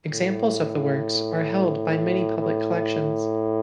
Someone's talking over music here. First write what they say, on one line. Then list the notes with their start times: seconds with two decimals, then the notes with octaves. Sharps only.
Examples of the works are held by many public collections.
0.11 A2
2.38 A2